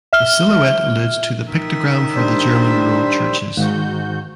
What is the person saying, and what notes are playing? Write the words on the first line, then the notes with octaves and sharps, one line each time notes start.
The silhouette alludes to the pictogram for the German road churches.
E5 F6 G7
D#3 E5
G3 D4 C5
G#2 D#3 G#3 F#4 G6